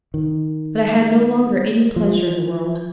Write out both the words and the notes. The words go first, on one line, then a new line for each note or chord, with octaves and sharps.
But I had no longer any pleasure in the world.
D#3
F3